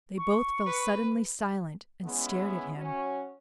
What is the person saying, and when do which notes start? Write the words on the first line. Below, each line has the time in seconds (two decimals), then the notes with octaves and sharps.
They both fell suddenly silent and stared at him.
0.18 C#6
0.66 B4
2.04 G#3 B3 C#4 E4
2.77 F#3 C#4